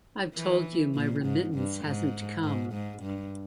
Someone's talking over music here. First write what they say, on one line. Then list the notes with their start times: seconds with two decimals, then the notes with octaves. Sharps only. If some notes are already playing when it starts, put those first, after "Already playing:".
I've told you my remittance hasn't come.
0.36 E3
0.95 A#2
1.25 G#2
1.55 G2
1.85 G#2
2.44 G#2
2.73 G#2
3.03 G2